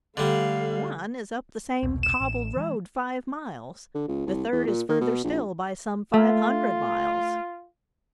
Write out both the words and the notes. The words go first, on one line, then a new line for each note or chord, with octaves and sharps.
"One is up the same cobbled road five miles, the third is further still by some five hundred miles."
D3 G3 A3 F5
E1 C2 B2
E7
A1
E3 G#3
D3
C#2
C2
E2
A#2
D#3
B2
A#1
A3 F4